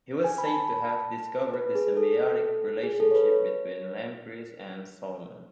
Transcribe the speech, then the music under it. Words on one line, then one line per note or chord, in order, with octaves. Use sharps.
He was said to have discovered the symbiotic relationship between lampreys and salmon.
G#5
B5
A5
B5
A5
B4
G#4
A4
G#4
A4
C#5
B4
C#5